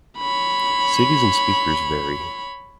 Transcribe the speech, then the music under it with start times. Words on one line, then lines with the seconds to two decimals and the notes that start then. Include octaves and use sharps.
Cities and speakers vary.
0.18 C#5 B5